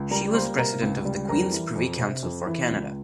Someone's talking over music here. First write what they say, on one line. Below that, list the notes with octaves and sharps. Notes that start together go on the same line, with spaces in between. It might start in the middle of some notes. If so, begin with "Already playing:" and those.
She was President of the Queen's Privy Council for Canada.
Already playing: C#2
G3 A#4 A#5
A#3 C5 C6
C3 A#4 A#5
C#2
G3
F2 A#4 A#5
E3
F2
C3
F2
E3
C#2